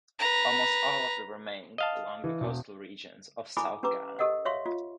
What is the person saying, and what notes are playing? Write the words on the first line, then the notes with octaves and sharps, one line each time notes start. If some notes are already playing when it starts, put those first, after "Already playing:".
Almost all of them remained along the coastal regions of South Ghana.
B4 A#5
D#5 F5 A5
E3
E1
E4 A4 G#5 B5 D6
C#4 G4 B4 A#5 D6
G4 A4 A#4 D#5 F#5
C#5 E5 F5 C6 C#6
F4